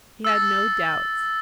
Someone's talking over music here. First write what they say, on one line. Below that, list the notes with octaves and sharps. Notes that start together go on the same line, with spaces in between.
He had no doubts.
E6 A6